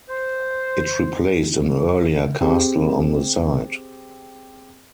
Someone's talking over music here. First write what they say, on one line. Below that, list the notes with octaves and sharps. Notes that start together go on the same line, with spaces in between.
It replaced an earlier castle on the site.
C5
C4 G4 G#4